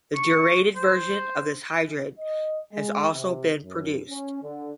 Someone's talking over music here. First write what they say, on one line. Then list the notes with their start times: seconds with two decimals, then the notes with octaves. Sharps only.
The deuterated version of this hydrate has also been produced.
0.15 C#6
0.76 C5
2.19 D#5
2.72 G#3
3.14 C3
3.64 F#2
4.09 C#4
4.42 D3